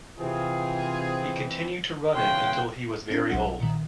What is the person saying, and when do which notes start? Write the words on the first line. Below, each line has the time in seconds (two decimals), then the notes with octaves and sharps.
He continued to run it until he was very old.
0.18 C3 E3 C4 F4 G#4
2.15 B1 C#3 E3 C#4 G5 C6 F#6
3.10 C4 D4
3.30 B1 F#3 E5 F#5
3.60 A#2 D#3